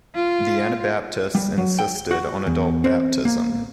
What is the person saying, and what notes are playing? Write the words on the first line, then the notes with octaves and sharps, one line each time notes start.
The Anabaptists insisted on adult baptism.
F4
G3
F#3
G5
F#4
E2
C4
A#3